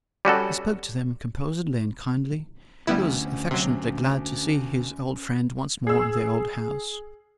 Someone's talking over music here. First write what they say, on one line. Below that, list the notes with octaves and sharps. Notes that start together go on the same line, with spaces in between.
He spoke to them composedly and kindly; he was affectionately glad to see his old friend once more in the old house.
G3 C#4 F#4 A4
D2 G3 B3 C#4 E4
C3 F#3
G#4 E6